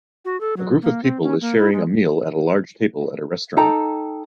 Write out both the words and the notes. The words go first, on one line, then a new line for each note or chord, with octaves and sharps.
A group of people is sharing a meal at a large table at a restaurant.
F#4
A4
F#3
A#3
C4
C#4
A#3
E4
G#3
D#4 A4 G5 A#5